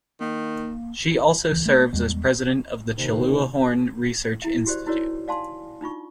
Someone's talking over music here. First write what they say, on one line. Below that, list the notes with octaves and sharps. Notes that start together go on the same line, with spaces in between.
She also serves as president of the Chulabhorn Research Institute.
D#3 A#3
D2 E3
A3 B3
E2 G3 G#3 B3
D#2 C3 D#3 C5
E4 E5
F#4 G4 C5 D5
D#4 E4 F#4 A#4 C#5 D5
D5 F5 G#5 A5 C6
D4 D#4 F4 C#6